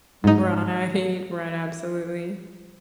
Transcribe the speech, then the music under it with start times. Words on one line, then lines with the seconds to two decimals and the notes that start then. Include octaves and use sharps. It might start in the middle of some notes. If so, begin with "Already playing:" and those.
Right, right, absolutely.
0.24 G#2 D#4